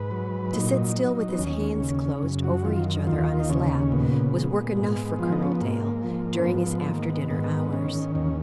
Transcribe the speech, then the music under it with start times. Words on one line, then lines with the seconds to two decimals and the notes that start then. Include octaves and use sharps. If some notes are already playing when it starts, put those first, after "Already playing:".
To sit still, with his hands closed over each other on his lap, was work enough for Colonel Dale during his after-dinner hours.
Already playing: G#2 B4
0.11 F#3
0.53 A#2 D#4
0.96 F#3
1.29 B3
1.38 D#2 C#4
1.81 C#3
2.23 F#2
2.44 F#4
2.65 D#3 F4
3.07 D#2 F4
3.40 D#4
3.50 C#3 C#4
3.92 A#2 B3
4.35 G#3
4.77 G#2
5.19 F3 F4
5.32 D#4
5.43 C#4
5.52 B3
5.61 G#2 A#3
6.03 F3
6.38 C#4
6.46 G#2 B3
6.67 B3
6.88 D#3 A#3
7.10 B3
7.30 G#2 B3
7.73 D#3 C#4
8.15 D#2 C#4